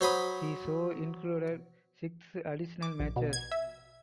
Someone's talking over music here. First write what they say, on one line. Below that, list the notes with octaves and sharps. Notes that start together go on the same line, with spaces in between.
The show included six additional matches.
F#3 C5 B5 D#6
D6
A#1
B2
G#6
E5